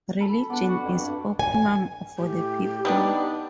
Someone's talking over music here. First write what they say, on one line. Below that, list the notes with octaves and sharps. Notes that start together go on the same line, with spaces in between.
Religion is opium for the people.
A4 B5
B3 D4 B4 D5
F#4
F2
G2 D5
G#5
A2 G4
G3 B3 D4 D#4